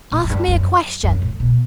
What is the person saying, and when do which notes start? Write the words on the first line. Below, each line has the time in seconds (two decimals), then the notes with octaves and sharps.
"Ask me a question."
0.11 A2
0.24 F#2
0.30 G2
0.48 F#2
1.04 F#2
1.22 A2
1.40 B2